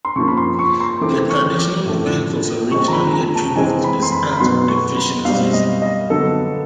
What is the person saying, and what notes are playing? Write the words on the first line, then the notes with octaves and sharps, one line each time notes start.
The traditional event was originally a tribute to the start of the fishing season.
C6
C#3 F3 A#3 C#6
B5
C6
C#6
C6
E3 A3 C4 D6
C#6
D6
A2 F3 A3
A#2 F3 G#3 C4 C#6
A#5
B5
A#5
A5
E3 G#3 C4 G#5
B5
C6
B5
B5
B2 F#3 B3 C6
C#6
B5
B2 G3 C4 F5
D#5
D#5
D3 F#3 B3 A4